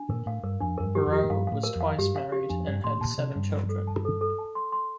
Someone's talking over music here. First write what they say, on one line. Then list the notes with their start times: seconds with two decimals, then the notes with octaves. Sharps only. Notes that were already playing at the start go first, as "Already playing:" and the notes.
Brough was twice married and had seven children.
Already playing: D4
0.10 A#2 A#4
0.26 A2 F5
0.43 G2 A#4
0.60 F2 D4
0.78 F2 A#4
0.83 G2
0.95 G4
1.06 F2
1.13 G4
1.23 A2
1.30 G2 F5
1.47 A2 F5
1.63 A#4
1.76 F2
1.81 F5
1.98 G2 G4
2.16 F5
2.32 G4
2.49 F2 D4
2.67 G2 D5
2.84 A2 C6
3.01 A#2 A5
3.18 C3 D5
3.35 G2 D5
3.52 D5
3.69 A4
3.87 A5
4.05 A4
4.21 A4
4.39 A5
4.55 C6
4.72 C6